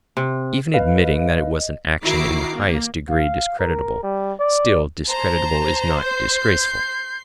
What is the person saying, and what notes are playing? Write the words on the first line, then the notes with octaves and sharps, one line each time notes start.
Even admitting that it was an action in the highest degree discreditable, still, discreditable is not 'disgraceful.'...
C3
B4 D#5 F5
D#3 E4 F#4 A#5 D6 C7
A#3
F5
A#4
G3
D5
C5 A5 A#5
C6 G6 C7